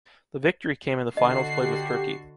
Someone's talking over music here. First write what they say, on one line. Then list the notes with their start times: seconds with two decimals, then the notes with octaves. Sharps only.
The victory came in the finals played with Turkey.
1.17 D3 F#4 D#5 C7
1.61 G4